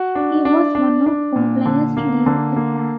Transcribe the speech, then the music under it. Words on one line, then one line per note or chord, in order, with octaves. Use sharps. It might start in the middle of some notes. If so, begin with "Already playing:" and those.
He was one of four players to leave the club.
Already playing: F#4
D4
D4
D4
D4
A#2
D3
A#3
D3
A#3